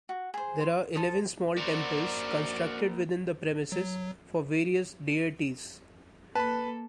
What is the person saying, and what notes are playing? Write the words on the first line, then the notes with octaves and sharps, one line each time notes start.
There are eleven small temples constructed within the premises for various deities.
F#4
G#4 C5
C6
A4 C5 A5 D#6
A#3 F#4 A#4 C5 D5
F#3
A#3 A4 B4 A5 B5